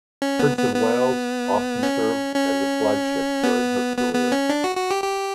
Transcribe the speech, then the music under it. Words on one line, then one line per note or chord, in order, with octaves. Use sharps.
"Prince of Wales" often served as a flagship during her career.
C#4
B3
B3
B3
C#4
C#4
B3
B3
B3
C#4
D4
F#4
F#4
G4
G4